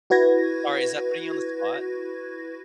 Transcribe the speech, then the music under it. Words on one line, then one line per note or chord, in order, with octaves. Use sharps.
Sorry, is that putting you on the spot?
E4 F#4 B4 G#6 A#6